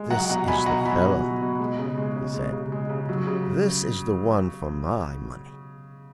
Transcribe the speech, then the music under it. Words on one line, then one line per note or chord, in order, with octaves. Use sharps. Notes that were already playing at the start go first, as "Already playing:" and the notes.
"This is the fellow," he said, "this is the one for my money."
Already playing: G#3
F#3 F#5 A#5
B2 F#5 A#5
F#3 G#5 B5
B2 F#5 A#5
F#3 G#5 B5
B2
F#3
B2
G#3
C#3
G#3
C#3
G#3
C#3
G#3
C#3
F#3
C#3